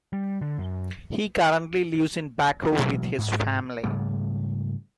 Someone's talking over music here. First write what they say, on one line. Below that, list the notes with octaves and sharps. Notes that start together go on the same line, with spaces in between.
He currently lives in Baku with his family.
G3
D3
F#2
A1 B2 F#3 G#3
G#2
G#2 C#3 G3 A3